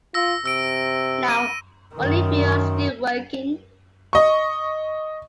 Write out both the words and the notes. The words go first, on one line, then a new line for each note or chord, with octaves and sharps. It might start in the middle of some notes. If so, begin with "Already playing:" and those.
Now only a few are still working.
F4 E6 A#6
C3 E6 D7
D#7
F#2 D#3
D#5 C#6